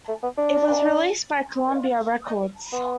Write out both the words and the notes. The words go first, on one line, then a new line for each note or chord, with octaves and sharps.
It was released by Columbia Records.
A3
B3
D4
B3